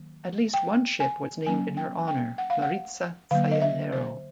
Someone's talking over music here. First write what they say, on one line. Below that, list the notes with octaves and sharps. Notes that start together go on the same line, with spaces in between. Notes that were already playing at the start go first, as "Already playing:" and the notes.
At least one ship was named in her honour, "Maritza Sayalero".
Already playing: D#3 F#3 A#3
G5
G#5
F#3 A#3 C#4 G#5
G5
G5
F#5
F5
F#5
D3 F#3 A#3 F5
D#5
E5
C5